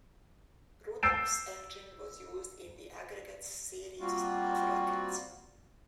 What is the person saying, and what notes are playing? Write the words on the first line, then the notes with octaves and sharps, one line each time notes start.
Rudolph's engine was used in the Aggregat series of rockets.
E6 G6 A6 C7 D7 E7
G3 A#3 C4 F4 F#4